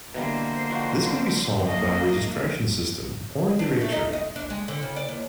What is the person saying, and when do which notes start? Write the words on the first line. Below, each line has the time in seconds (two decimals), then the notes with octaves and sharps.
This can be solved by a registration system or a 'directory'.
0.14 B2 D3 E3 G3 A#3 C5
0.69 D#3 F3 F#4
1.67 A3 A#3 D#5
3.59 D4
3.81 A3
3.92 D#4
4.13 D#5
4.36 D4
4.50 G#3
4.68 D3
4.83 C#3
4.96 D5
5.09 D#2